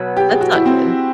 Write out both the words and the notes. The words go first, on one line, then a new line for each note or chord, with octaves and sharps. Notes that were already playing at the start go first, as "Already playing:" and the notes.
That's not good.
Already playing: B2 F#3 B3
G4
G#4
F#4
E4
C4